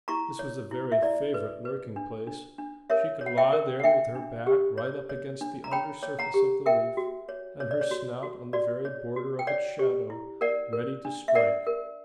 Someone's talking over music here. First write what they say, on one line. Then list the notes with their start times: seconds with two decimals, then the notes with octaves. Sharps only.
This was a very favourite lurking-place; she could lie there with her back right up against the under surface of the leaf, and her snout on the very border of its shadow, ready to strike.
0.08 E4 A#5 C#6
0.39 C#5
0.71 E4
0.92 E5
1.02 E4 D5
1.34 B4
1.65 B4
1.96 D4
2.27 D4
2.58 D4
2.90 A#4 C#5 E5
3.21 C#5
3.26 F#5
3.37 E5 G5
3.53 A#4
3.80 F#5
3.84 D4 E5 G5
4.15 D4
4.47 G4
4.78 C#5
5.09 C#5
5.41 D4
5.64 A#5
5.72 C#5 G5 B5
6.03 C#5
6.19 F#5 A#5
6.34 G4
6.66 A#4 E5 G5
6.97 F#4
7.29 C#5
7.60 C#5
7.71 D5
7.81 C#5
7.91 F#4
8.23 F#4
8.53 F#4 D5
8.85 C#5
9.16 F#4
9.39 G5
9.47 C#5 D5 F#5
9.79 G4
10.10 E4
10.41 A#4 D5 F#5
10.73 A#4
11.05 D4
11.28 E5
11.35 A#4 D5 F#5
11.67 A#4